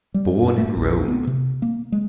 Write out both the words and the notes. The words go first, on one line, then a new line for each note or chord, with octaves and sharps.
Born in Rome.
G3
F#2
A3
A#1
B3
C3
A#3
G#3